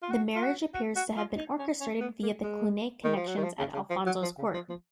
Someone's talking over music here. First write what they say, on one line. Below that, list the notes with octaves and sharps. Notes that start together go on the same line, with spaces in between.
The marriage appears to have been orchestrated via the Cluniac connections at Alfonso's court.
F4
F#4
F4
F#4
F#4
F#4
F4
D#4
C#4
C#4
B3
A#3
G#3
D#3
F3
F#3
D#3
F3
C#3
C#3
F3
F#3
F3
C#3
F3
F3